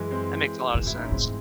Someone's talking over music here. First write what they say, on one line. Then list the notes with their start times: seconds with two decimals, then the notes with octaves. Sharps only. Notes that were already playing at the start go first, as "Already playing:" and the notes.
That makes a lotta sense.
Already playing: F#2 E3 G#3
0.11 G#3 C4
0.74 A2
0.87 E4
0.95 D#4
1.03 C#4
1.11 G#2 G#3 C4